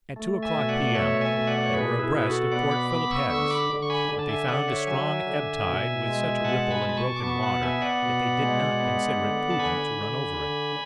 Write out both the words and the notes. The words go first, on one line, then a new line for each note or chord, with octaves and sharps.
At two o'clock p.m. they were abreast of Port Philip Heads; but they found a strong ebb tide, with such a ripple and broken water that they did not consider it prudent to run over it.
A3
E5 G#5
B2
D5 F#5
D5
A3 C#5 E5
E5 G#5
B2
D5 F#5
D5
C#5
B2 G#4 B4
E4 G#4
B2
B4
F#4 A4
B3 D5 F#5
B5 D6
B3 B5 D6
C#6 E6
D3 C#6 E6
B5 D6
D3
C#6
G#5 B5
D3
A5
E5 G#5
D3 D5 F#5
C#5 E5
F#3 E5 G#5
D3
B2
G#3
B2 F#5 A5
G#5 B5
B2 A5
B5
A5 C#6
D6
B3 A5 C#6
F#5 A5
B3 E5 G#5
D5 F#5
B2
G#3
B3
D3
A5
D3 G#5 B5
D3
D3